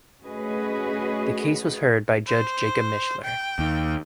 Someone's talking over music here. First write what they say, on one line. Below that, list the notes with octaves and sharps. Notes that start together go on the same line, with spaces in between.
The case was heard by Judge Jacob Mishler.
A3 C#4 F#4 G#4 B4 D#5
C5
G5
D#2